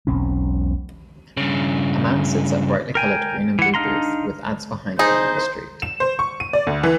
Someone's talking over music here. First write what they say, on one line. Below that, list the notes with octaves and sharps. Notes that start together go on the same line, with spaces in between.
A man sits at brightly colored green and blue booth with ads behind him on the street.
E1 B1 C4 C#4
G2 C#3
A#4 G5 G#5
E3 F#5
D4 D#4 F5 A#5 C6
D#4 G#4 C5
E7
C5
C#6
D#7
D5
D2
E3